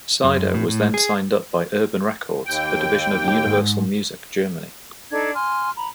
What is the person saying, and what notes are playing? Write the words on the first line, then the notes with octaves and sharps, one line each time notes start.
Sido was then signed up by Urban Records, a division of Universal Music Germany.
F#2
A2
A2
G#4
D#2 G5
G4
G#2
D4 D#4 A4 G#6
G#5 C6 F6
A#5 B5